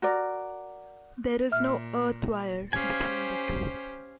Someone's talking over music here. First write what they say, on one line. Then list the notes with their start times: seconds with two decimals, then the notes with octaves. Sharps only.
There is no 'earth wire' between the two.
0.02 F#4 A#4 D5
1.52 A#2 E5 F6
2.73 C#4 G4 C5 F5 G#5